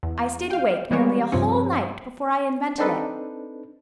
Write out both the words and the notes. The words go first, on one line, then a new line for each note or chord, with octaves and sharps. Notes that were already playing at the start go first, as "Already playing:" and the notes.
I stayed awake nearly a whole night before I invented it.
E2
F5 G5
E3 G3 G#3 B3 C#5
G2 C3 F3 C4 C#4
C4 D4 D#4 A4 B4